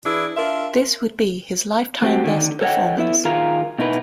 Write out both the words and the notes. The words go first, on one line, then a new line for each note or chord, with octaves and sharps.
This would be his lifetime best performance.
E3 D4 E4 G#4
D4 F4 A#4 E5
A3 C4 F#4 G4
D3 D#3
A4 C#5 D#5 F#5 G5
B3 E4 E5
D#3 F4 G#4 A#4 F5 A#5
B2 D#4 E4 B4